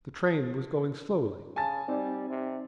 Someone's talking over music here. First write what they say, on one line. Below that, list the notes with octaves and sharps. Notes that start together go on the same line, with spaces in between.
The train was going slowly.
C#3 G#5 A5 A6
G3 C4 D#4 D5
C3